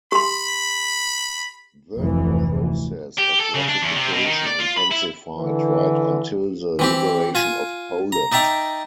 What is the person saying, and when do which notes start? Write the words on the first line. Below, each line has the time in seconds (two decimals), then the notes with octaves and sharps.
The process of Russification intensified right until the liberation of Poland.
0.12 G4 B5 C6
1.97 F1 D2 G#2 E3
3.18 G4
3.40 A4
3.54 C#3
3.69 D4
3.82 E2
3.96 C3
4.13 B2
4.26 D#3
4.47 D5
4.60 F4
4.78 B5
4.92 E4
5.37 D3 E3
6.79 E3 C4 G4
7.35 F4 G#5
8.12 A#5
8.32 D#4 D5 E5 G5 A#5